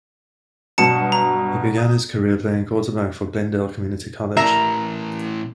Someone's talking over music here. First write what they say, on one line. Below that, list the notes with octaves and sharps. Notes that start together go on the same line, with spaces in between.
He began his career playing quarterback for Glendale Community College.
G2 B2 F#3 A5 C#7
A#5
D#6
A2 E3 A#4 E5 A#5